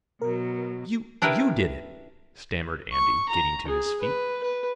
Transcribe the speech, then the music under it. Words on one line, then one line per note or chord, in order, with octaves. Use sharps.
"You--you did it!" stammered Andy, getting to his feet.
B2 F#3 A#4
D4 E4 G4 A#4 B4
C#6
A#5
G#4
B4
B4